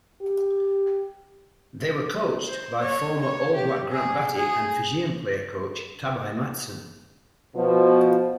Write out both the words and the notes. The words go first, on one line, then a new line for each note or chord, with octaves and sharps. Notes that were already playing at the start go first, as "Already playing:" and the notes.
They were coached by former All Black Grant Batty and Fijian player-coach Tabai Matson.
G4
C5
C#5
C#5
G4
G#4
G#4
B2 F3